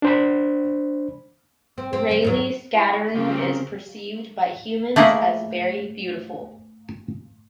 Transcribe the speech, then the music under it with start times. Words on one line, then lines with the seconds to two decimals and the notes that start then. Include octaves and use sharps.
Raleigh scattering is perceived by humans as very beautiful.
0.02 D4 C5 B5
1.78 C4
1.93 C4
2.09 D3 G3
2.22 D#2 A2 F#3
2.75 E4 F#5 C#6
3.15 C#3 F3 G3 C4 A#4
4.96 A3 A#3 E4 G#4 D#5